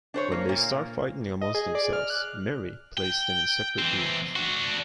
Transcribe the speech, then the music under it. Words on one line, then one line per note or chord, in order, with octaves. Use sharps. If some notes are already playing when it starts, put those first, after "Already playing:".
When they start fighting amongst themselves, Mary places them in separate rooms.
D4 C5 C#5
A#3
A#2 A#3
D#5
G#4
D5
F6
F#6
G5
E3 C4
D4 F#4